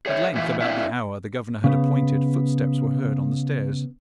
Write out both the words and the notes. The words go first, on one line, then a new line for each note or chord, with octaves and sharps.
At length, about the hour the governor had appointed, footsteps were heard on the stairs.
G#4 C#5 E5
A#2 E3 F4 E5 F5
C4 D4 E4 E5 F5
C#3 B3